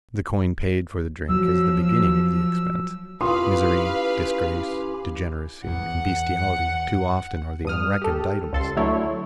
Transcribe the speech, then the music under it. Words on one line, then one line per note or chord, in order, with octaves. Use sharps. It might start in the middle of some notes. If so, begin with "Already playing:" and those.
The coin paid for the drink is the beginning of the expense; misery, disgrace, degeneracy, and bestialty too often are the unreckoned items.
F3 F#3 E6
C#4 E4 F4 G4 B4 F5 C6 D#6
E2 F#5
G2 D#6 F6
G4 A4
C#2 A4 C6
D3 F#3 A3 E4 C#5